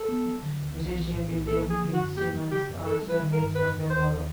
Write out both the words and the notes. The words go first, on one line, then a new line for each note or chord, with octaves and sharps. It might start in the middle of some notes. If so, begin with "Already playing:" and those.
Musician William Fitzsimmons also hails from the borough.
Already playing: A4
B3
F#3
D3
D2
B1
E3
A2
B1
A#3 A4
F3
G#4
D3
F#4
F#2
A#3 G4
F#3
C#3 G4
F#2
C4 A4
G3
B4
D#3
A#4
G2
F1 B4
D#3
D#2 C5